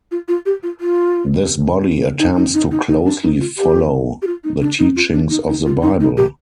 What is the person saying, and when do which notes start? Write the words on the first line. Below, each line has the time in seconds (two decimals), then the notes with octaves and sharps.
This body attempts to closely follow the teachings of The Bible.
0.11 F4
0.28 F4
0.46 G4
0.63 F4
0.81 F4
2.19 D#4
2.36 D#4
2.54 D#4
2.71 D#4
2.88 D#4
3.06 D4
3.23 D#4
3.40 F4
3.58 G4
4.22 G4
4.27 F4
4.44 D#4
4.61 D4
4.79 D#4
4.96 F4
5.13 D4
5.30 D#4
5.48 D#4
5.66 F4
5.82 D#4
6.00 D#4
6.17 G4